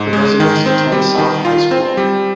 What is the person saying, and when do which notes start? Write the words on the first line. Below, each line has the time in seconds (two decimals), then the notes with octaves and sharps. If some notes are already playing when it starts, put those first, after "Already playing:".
The residents attend South High School.
Already playing: G#2
0.13 G#3
0.40 D#3
0.66 C4
0.92 G3
1.18 D#3
1.45 F4
1.71 C4
1.97 G3